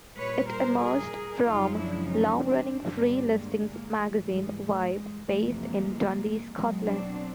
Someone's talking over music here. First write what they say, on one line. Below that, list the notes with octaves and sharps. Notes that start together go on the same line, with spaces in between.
It emerged from long-running free listings magazine "Vibe" based in Dundee, Scotland.
A#2 G3 B4 C#5
A#4 C5
G#4 A#4
F#2 C#3 F3 G#3 D#4 F4
D4 E4
C#4 D#4
C4 D4
G2 D3 G3
G#3 A#3
G#3 A#3
G#2 E3 G3 A3
G#3
A3
G#3
F2 C3 E3 G3 A3
G#3 A#3
B2 F#3 G#3
C4 D4